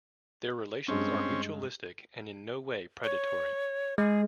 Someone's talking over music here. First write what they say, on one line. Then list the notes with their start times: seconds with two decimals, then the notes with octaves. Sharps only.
Their relations are mutualistic and in no way predatory.
0.88 G2 G#3 C4 C#4
3.03 C#5
3.98 G#3 G#4